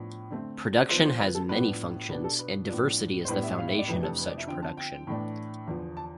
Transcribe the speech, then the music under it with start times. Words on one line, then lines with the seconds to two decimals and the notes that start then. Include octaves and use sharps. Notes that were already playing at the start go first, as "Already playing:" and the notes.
Production has many functions, and diversity is the foundation of such production.
Already playing: A2 F3 B3 D4
0.31 D3 A3 C4
0.76 D5
0.90 D3 F3 B3 C5
1.05 C5
1.20 B4
1.35 A4
1.49 A2 F3 B3 D4 B4
2.09 B2 B3 D4 B4
2.24 A4
2.39 B4
2.69 A2 F3 B3 D4
3.25 C5
3.28 A2 G3 B3 D4 B4
3.44 E5
3.58 F5
3.68 E5
3.79 D5
3.88 F2 C3 E3 A3 D4 B4
4.03 A4
4.19 B4
4.28 D5
4.38 E5
4.47 D3 F3 C4 G5
4.62 A5
4.77 G5
5.07 A2 E3 A3 D4
5.67 E2 D3 F3
5.97 A5